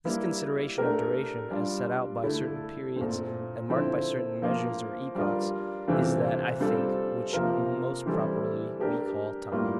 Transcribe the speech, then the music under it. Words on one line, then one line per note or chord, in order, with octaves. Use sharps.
This consideration of duration, as set out by certain periods and marked by certain measures or epochs, is that, I think, which most properly we call TIME.
G3 A#3 E4
A3 D4 G4 A#4
G3 D4 F4
D3 A3 E4 A4
A#2 A3 C4
D3 F3 C4 E4 A4
F3 A#3 F4
G3 D4 F4 A#4
C3 E3 A3 C4 F4
G3 C4 F4 A4
C3 F3 A#3 F4 A#4
E3 G3 C4 E4 A4
A3 D4 G4 A#4
A2 G3 A#3 F4